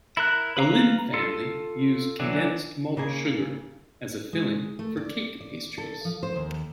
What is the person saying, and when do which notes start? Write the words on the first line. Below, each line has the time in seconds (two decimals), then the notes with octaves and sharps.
The Lin family used condensed malt sugar as a filling for cake pastries.
0.17 E4 A#4 F#6
0.57 B4 F5 A#5
1.14 F4 A4
2.20 E3 F#3 D4
2.97 C#3 A#3 G#4
4.33 G#3
4.79 A3
4.97 D5
5.40 D5
5.78 A4
6.05 F3
6.23 C5
6.36 D#2